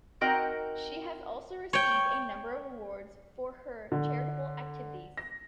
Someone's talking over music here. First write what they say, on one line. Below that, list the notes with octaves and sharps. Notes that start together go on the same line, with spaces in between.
She has also received a number of awards for her charitable activities.
C4 D#4 F#4 A#4 D#5 G5
C#5 G5
D3
A#6